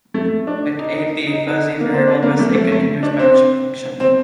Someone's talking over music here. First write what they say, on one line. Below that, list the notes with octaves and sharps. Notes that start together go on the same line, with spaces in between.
Let "A" be a fuzzy variable with a continuous membership function.
A3
D4
D#4
D#4
D#4
D#4
A#3
C4
D4
A#3
A3
A3
A3
D4
C4
C4